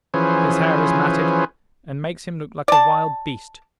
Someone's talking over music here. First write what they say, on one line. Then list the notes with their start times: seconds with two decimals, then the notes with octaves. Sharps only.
His hair is matted, and makes him look like a wild beast.
0.14 E3 F3 C#4 G#4 B4 C5
2.68 D5 A5